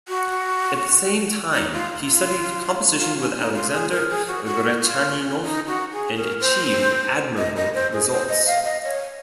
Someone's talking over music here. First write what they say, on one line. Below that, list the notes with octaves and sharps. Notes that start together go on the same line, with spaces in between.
At the same time, he studied composition with Alexander Gretchaninov and achieved admirable results.
F#4
D#4
F4
F4
F4
C#4
D#4
F4
G#4
A#4
G#4
F#4
F#4
F4
C#4
D#4
F#4
G#4
A#4
C5
D#5
D#5
C5
G#4
C5
D#5
F5
D#5
C#5